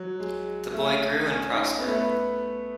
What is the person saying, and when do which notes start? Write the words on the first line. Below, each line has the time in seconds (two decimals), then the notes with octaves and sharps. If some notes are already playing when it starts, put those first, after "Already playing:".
The boy grew and prospered.
Already playing: F#3
0.20 G#3
0.74 A3
1.26 C#4
1.52 D#4
1.79 B3
1.87 A3
1.95 B3